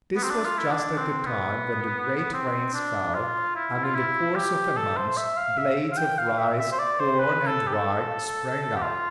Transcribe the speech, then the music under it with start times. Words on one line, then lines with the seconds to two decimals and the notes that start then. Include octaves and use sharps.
This was just at the time when the great rains fell, and in the course of a month, blades of rice, corn, and rye, sprang up.
0.16 B3
0.24 C4
0.31 D4
0.45 F4
0.58 E4
0.71 D4
0.98 C4
1.26 B3
2.33 C4
2.73 D4
3.15 F4
3.55 E4
3.84 F4
3.95 E4
4.36 G4
4.77 A4
4.97 C5
5.17 E5
5.37 F5
5.58 E5
5.92 F5
5.98 G5
6.18 F5
6.38 E5
6.59 E5
6.72 C5
6.79 D5
7.00 C5
7.19 B4
7.47 A4
7.67 G4
7.73 A4
8.76 G4
8.82 F4